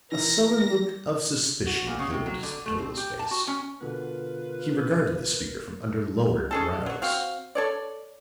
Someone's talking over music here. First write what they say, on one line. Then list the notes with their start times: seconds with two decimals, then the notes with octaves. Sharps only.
A sullen look of suspicion came into Spatola's face; he regarded the speaker from under lowered brows.
0.12 E3 A#4 A#6
1.66 F#4
1.87 A#2
1.99 C#3
2.11 C3
2.26 F#3
2.43 D3
2.66 A3
2.78 C4
2.97 G4
3.19 A5
3.31 F#4
3.47 C#4
3.81 B2 D3 B3 F4 A#4 B4
6.51 C#4 G#4 A4
6.86 F#3 F#4
7.02 C4 F#4 F5
7.55 A4 C#5 D5